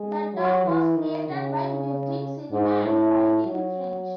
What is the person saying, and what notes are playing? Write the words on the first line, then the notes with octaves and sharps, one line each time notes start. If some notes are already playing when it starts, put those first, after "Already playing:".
The term was created by merging "cinema" and "writing" in French.
Already playing: G#3
F#3
E3
D#3
C#3
G#2
A2
F#3